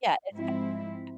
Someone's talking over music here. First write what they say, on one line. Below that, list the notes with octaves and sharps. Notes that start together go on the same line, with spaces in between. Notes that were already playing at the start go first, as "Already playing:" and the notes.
yeah, it's kinda like that
G#2 F3 G#3 C4 E4